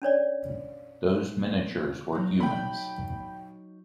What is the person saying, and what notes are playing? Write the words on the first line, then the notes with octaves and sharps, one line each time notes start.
Those miniatures were humans.
C#4 D4 C#5 D5
F#3 D#4
G5 B5